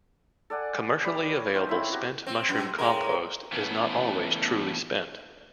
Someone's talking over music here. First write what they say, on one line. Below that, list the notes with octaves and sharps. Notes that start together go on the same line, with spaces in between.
Commercially available 'spent' mushroom compost is not always truly spent.
A4 D5 F#5 G#5
G4 D5 B5 D#6
C#5
C#4 D#4 C5 F5
C4 E4 C#5 E5
F#4 G4 A#5
C4
F#2
A2 G#3 A#4
E3 A3 B3 C#4